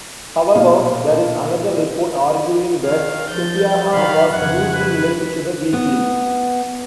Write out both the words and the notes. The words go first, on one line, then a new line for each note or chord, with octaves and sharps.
However, there is another report, arguing that Sapieha was loosely related to the weekly.
B1 A#2 F5
D#3 F5
F3 G6 A6
D#3 F#3 F5 A#5 B5
F2 C#3 F#5 F#6 G#6
B4
B3